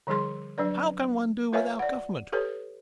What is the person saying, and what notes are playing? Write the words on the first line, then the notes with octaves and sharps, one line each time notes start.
How can one do without government?
D3 F3 G3 G#4 C6
F#3 D4 B4 D5
F4 B4 C#5 E5 F5 G#5
D5 F#5
G4 A4 B4 C#5